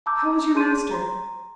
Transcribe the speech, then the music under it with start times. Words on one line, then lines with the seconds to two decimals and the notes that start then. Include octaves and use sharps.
How is your master?
0.06 A5 A#5 D6 E6 G6
0.55 G#4 A5 C6 G6 D#7
0.91 A#5 C6